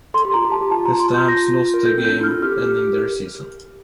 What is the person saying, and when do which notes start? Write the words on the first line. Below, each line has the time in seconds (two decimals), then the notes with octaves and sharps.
The Stamps lost the game, ending their season.
0.14 A4 C6
0.25 G4
0.34 F4 A#5
0.45 G4
0.52 A5
0.61 G4
0.71 F4 A5
0.85 A#5
1.00 C6
1.14 G6
1.28 A#6
1.74 A#4
1.85 A4 G6
1.98 C4
2.05 G6
2.08 D4
2.21 E4 F6
2.31 F4
2.42 G4 F6
2.93 A#4